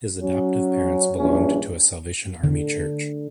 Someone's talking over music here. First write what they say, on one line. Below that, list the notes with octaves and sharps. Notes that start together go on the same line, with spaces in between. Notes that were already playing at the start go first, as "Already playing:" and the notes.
His adoptive parents belonged to a Salvation Army church.
F#3 C#4
A#1 G2 E3 C#4
D3